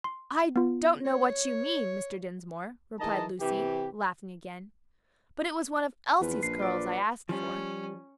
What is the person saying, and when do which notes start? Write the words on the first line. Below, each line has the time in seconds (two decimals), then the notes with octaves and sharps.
"I don't know what you mean, Mr. Dinsmore," replied Lucy, laughing again, "but it was one of Elsie's curls I asked for."
0.04 C6
0.56 B3 F4
1.04 C#5
3.00 D#3 E3 G#3 D#5 A5 A#5
3.41 C3 E3 G4
6.21 E2 F3 B4
6.43 A#1 C7
6.59 F4 D5
7.29 F3 G3 C#4